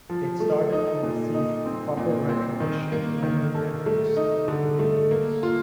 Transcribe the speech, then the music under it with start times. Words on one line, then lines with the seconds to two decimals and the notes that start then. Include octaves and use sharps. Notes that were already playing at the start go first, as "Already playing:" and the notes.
It started to receive proper recognition only after several years.
0.10 F3
0.40 A3
0.73 D#4
1.03 A#2
1.34 D#4
1.66 C4
1.97 A#2
2.29 C4
2.60 D#3
2.92 A#3
3.23 D#3
3.55 A4
3.86 A3
4.17 D#4
4.48 D3
4.79 A3
5.11 A#3
5.43 F4